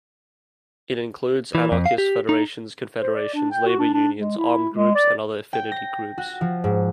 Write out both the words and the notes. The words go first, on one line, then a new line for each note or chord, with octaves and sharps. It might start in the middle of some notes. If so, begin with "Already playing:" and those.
It includes anarchist federations, confederations, labour unions, armed groups, and other affinity groups.
E3
F2
F5
G4
D#4
C5
D5
D4
G5
F#4
D4
D4
G#3
E4
G#3
D5
G5
A#6
F#4
F3
G#2